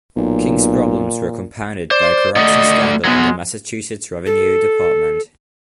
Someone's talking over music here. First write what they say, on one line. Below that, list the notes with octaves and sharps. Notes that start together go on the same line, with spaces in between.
King's problems were compounded by a corruption scandal in the Massachusetts Revenue Department.
B1 A#2
C5 D5
A3 D5 D#5 F#5
F#3 G#3 B3
A4